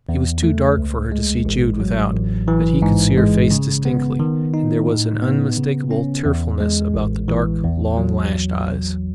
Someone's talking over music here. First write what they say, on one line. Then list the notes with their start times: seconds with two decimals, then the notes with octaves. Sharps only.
It was too dark for her to see Jude without, but he could see her face distinctly, and there was an unmistakable tearfulness about the dark, long-lashed eyes.
0.09 E2
0.43 A3
0.77 C#2
1.12 G#3
1.45 A1
1.80 F#3
2.13 A1
2.48 E3
2.82 G#2
3.17 G#3
3.51 C#3
3.85 B3
4.20 D#3
4.54 D#4
4.88 A2
5.22 B3
5.57 C#3
5.91 C#4
6.25 E2
6.60 G#3
6.94 A1
7.28 E3
7.63 E2
7.97 F#3